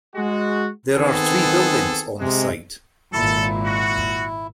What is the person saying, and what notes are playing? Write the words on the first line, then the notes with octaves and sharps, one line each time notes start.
There are three buildings on the site.
G#3 F#4
D#3 B3 C4 G#4 A4
C3 G#3
G#1 A#2 E4 A4
F#4